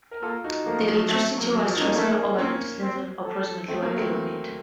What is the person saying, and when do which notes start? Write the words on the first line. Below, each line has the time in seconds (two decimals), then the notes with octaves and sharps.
The electricity was transferred over a distance of approximately one kilometer.
0.11 A#4
0.22 A#3 F4 A4
0.44 D#4 F#4
0.66 F3 A3 A#3
0.80 F3 A3
0.95 F#3
1.09 F#3 A3
1.38 F#3 A#3
1.52 F#3
1.66 F3
1.76 D#4
1.80 A#3 C#4
1.96 A3 A#3 C#4
2.38 A#3 C4 C#4
2.82 C4
3.25 A4
3.68 A3 C4
3.83 F#3 A#3
3.96 A3 C4